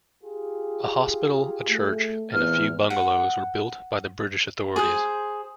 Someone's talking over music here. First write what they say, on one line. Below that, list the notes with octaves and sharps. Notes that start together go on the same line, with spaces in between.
A hospital, a church, and a few bungalows were built by the British authorities.
F4 G4 G#4
A3
E2 A#2 B3 C4 F6
F#5
G#4 C5